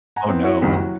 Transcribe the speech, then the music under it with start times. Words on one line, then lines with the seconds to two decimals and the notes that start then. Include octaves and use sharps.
Oh, no.
0.16 F#5 G#5 A#5
0.28 B3 C4 E4
0.43 E4 F#4 C#5
0.61 F#1 C2 F2 D#3
0.73 F#3 E4 F#4